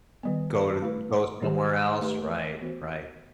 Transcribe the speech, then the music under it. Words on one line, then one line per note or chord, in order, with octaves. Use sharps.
Go to go somewhere else, right, right.
D#3 G3 B3
A3 E4 B4
D#3 G3 D#4 G4 C5
A3 D#4 G4 B4
E3 B3 F#4 C5